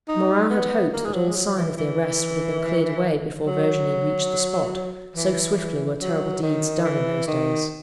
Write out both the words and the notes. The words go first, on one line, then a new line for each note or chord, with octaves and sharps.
Morin had hoped that all sign of the arrest would have been cleared away before Virginie reached the spot--so swiftly were terrible deeds done in those days.
D#4
B3
A#3
G#3
F#3
G#3
F#3
E3
E3
F#3
E3
E3
F#3
D#3
E3
D#3